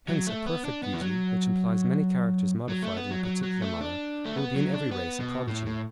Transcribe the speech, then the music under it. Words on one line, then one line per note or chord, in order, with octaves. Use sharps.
Hence a perfect beauty, which implies many characters modified in a particular manner, will be in every race a prodigy.
F#3
A3
B3
D4
B3
E3
F#3
F#3
A3
B3
F#3
F#3
F#3
A3
D4
A3
B3
F#3
D4
B3
B2
A2
A2